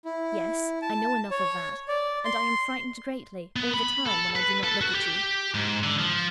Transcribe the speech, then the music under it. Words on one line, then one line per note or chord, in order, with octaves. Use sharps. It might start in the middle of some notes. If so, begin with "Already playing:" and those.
'Yes, I know enough of that; and I am frightened greatly, all the time, when I do not look at you.'
E4
A5
C#5
D5
C6
B3
B5
A4
B4
A4
F#4
G4
G#2
D3
F3